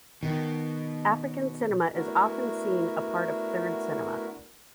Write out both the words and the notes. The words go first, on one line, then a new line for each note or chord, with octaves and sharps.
African cinema is often seen a part of Third Cinema.
B2 D#3
A3 B3 D4 E4 F#4 A#4